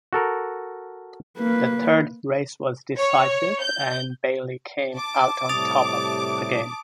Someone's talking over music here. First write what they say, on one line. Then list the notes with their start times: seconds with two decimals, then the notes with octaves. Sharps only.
The third race was decisive and Bayley came out on top again.
0.13 F#4 A4 A#4
1.38 A#3 B4
2.98 C#5
3.62 G6
4.94 A5 D6
5.49 A2 C3 G3 D#6 A6 F7